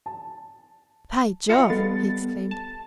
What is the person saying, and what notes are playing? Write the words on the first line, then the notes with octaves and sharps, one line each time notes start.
"By Jove!" he exclaimed.
A5
F4 D#5 F5 B5 C#7
G3 B3 A4 A6
A5